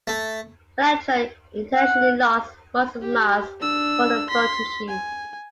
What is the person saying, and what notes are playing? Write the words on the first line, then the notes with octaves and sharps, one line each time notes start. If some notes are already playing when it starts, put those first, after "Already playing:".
Elektra intentionally lost muscle mass for the photoshoot.
A3
F#5
G4
D4 E6
C6 B6
G#5